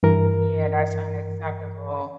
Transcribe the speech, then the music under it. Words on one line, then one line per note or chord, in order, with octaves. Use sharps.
Yeah, that's unacceptable.
G2 E3 A#4